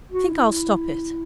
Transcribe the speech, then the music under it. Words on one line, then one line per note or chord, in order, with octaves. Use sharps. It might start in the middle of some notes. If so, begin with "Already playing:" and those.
I think I'll stop it.
F#4
E4